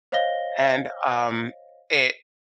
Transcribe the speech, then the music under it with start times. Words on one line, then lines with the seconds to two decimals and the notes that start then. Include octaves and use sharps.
and, um, it
0.12 C5 C#5 D#5 F5 A#6 G7